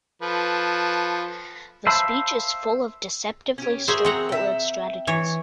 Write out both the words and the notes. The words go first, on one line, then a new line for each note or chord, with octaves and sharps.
The speech is full of deceptively straightforward strategies.
F3 A4 B4
C5 E5 F5 A5 B5
C#4 G4
F#4 G#4 A#4 C5 E5
C4 F#5 A#5
E5 G5
E3 C#5